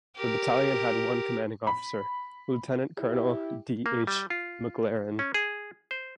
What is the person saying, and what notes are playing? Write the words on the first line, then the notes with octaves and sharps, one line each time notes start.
The battalion had one commanding officer: Lieutenant-Colonel D. H. MacLaren.
G4 A#4
B5
E4 G4
A#3
G3
F4
C#4
G#4
C5